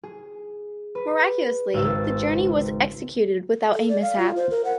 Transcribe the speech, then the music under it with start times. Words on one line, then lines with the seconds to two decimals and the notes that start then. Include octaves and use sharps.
Miraculously, the journey was executed without mishap.
0.03 G#4
0.95 B4
1.74 G#1 C#2 E6 G#6 A6 E7
3.74 A4
3.89 D5
4.02 F5
4.19 F4
4.36 C5
4.51 A#4
4.65 F#5